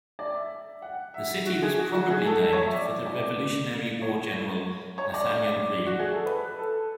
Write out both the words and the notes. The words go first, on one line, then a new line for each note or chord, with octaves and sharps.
The city was probably named for the Revolutionary War general Nathanael Greene.
D5
E5
F#5
E5
F#4
G#4
F#4
F#4
G#4
A4
A4
C#5
E5
D5
D5
C#5
C#5
D5
D5
F#4
G#4
A4
B4
A4